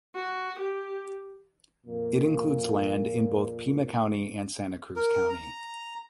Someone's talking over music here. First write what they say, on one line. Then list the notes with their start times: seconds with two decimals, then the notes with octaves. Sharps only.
It includes land in both Pima County and Santa Cruz County.
0.15 F#4
0.59 G4
1.86 F2 A#2 A#3
4.96 A#4
5.29 A#5